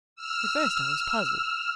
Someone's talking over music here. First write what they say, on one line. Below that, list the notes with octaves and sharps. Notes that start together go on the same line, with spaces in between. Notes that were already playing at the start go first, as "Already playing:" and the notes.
At first I was puzzled.
E6 F6